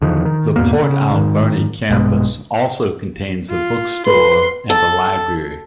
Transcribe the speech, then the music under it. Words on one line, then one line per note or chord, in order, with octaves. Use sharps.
The Port Alberni campus also contains a bookstore and library.
E2 D3 D#3 F3
D#3
E2 G#2 B2 A#3
C#3
G#2 D#3
A#1 G2 B2 G#3
F4
B4 C6
A4